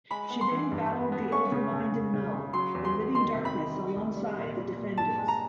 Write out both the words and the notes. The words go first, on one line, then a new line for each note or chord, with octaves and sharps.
She then battled the Overmind and Null, the Living Darkness alongside the Defenders.
G#3 B5
B3
C6
E3
G2
B3
B3
C#4 C#6
C#3
C#3
C#3
C#3
C#3
F#3 C6
E2
C6
E2
D#3 C6
C3
B5
D#3
G3
C2
G3
A#2
G3
A#2
G2 A5
G#3
A#5